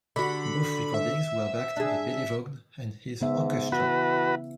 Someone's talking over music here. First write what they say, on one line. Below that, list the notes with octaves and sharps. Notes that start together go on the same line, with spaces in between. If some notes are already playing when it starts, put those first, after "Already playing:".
Both recordings were backed by Billy Vaughn and his Orchestra.
D3 F#4 B5
E5
D4 G#4
G#2 C#3 B3 E5
E3 E4 F#4 B4